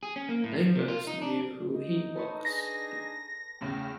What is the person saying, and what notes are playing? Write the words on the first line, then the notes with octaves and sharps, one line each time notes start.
Neighbors knew who he was.
G#4
C#4
A#3
A2
F3
C3
F4
D#4
D4
D#4
A4 B4 C#5
D4 D#4 G#4 A#6
E2 A2 C#3 G5